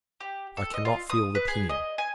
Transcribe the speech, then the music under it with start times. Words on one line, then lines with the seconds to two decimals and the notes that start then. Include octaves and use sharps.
I cannot feel the pen.
0.21 G4
0.57 A4
0.74 D#5
0.85 F4
1.10 D#6
1.35 B4
1.48 G#4
1.69 D#5
1.98 G#5